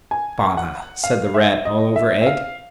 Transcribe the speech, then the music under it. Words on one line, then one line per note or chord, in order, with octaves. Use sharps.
'Bother!' said the Rat, all over egg.
G#5
F#5
F5
E5
D#5
E5
E5
F5